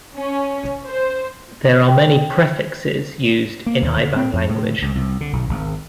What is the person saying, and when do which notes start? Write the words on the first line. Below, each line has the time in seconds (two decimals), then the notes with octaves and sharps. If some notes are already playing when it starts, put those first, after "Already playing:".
There are many prefixes used in Iban language.
0.16 C#4
0.86 C5
1.88 G5
3.66 A#3
3.82 D#2
3.96 D3
4.16 C4
4.33 F2
4.49 A2
4.82 C#2
4.95 C2
5.21 D3
5.33 B1
5.49 G#1